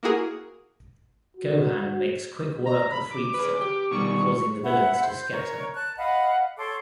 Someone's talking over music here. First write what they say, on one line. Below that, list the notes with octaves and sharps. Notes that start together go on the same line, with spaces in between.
Gohan makes quick work of Frieza, causing the villains to scatter.
A#3 E4 F#4 G#4 A#4
F#4
A#5
B5
D6
G#4 B4
G4
B2 D#3 G3 C#6
E5 F#5 B5
C5 G6
A#4 C#5
A5 F#6
D#5 F5 F#5 B5
A4 C#5 C6 D6